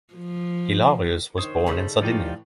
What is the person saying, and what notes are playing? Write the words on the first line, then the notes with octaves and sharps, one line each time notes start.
Hilarius was born in Sardinia.
F3
D#3 C5 C#5 D#6
C#3 G3 A3
A2 E3 F3 D#4 F4 G4 D5